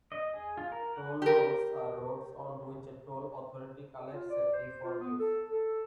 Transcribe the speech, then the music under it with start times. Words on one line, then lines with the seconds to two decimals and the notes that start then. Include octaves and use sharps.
Toll roads are roads on which a toll authority collects a fee for use.
0.12 D#5
0.33 G#4
0.57 F4
0.72 A#4
0.96 F#5
1.22 G4 A#4
4.13 F4
4.30 D5
4.53 C5
4.84 F4
5.00 B3
5.19 A4
5.50 A4